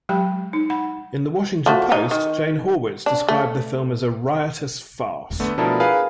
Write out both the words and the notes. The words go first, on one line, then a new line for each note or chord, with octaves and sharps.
In "The Washington Post", Jane Horwitz described the film as a "riotous farce".
F#3 G#3 G4 G5 B5
D#4
F#5 B5
F3 A3 F#4
D#4
D#3
D4
A3
D3 A3 B3
B2 F3 D4 E4 A4 A#4
G#4 A#4 B4 F5